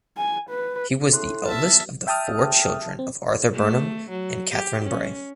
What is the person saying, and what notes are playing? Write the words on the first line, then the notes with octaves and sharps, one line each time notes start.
He was the eldest of the four children of Arthur Burnham and Katharine Bray.
G#5
B4
A2 A4 C6 F#6
B3 E5 A5 F6
E5 G5 A5 D#6 F6
C4
A3
F#3
G4
C#4